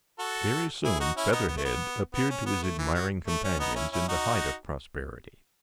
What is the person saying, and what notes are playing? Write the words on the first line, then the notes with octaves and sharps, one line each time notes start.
Very soon Featherhead appeared to his admiring companions in the height of prosperity.
F#4 A4
E4 G#4
D#4 F#4
C#4 E4
B3 D#4
B3
A3
B3
B3
C#4
B3
A3
E3
F#3
A3
C#4
B3 D#4
C#4 E4
C#4 E4
D#4 F#4